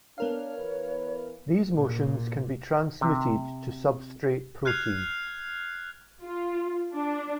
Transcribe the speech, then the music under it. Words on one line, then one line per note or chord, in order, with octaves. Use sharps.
These motions can be transmitted to substrate protein.
B3 D4 A#4 C#5 F5
E3 B4
A#2
C3
F6 F#6 G#6 C7 F7
F4
D4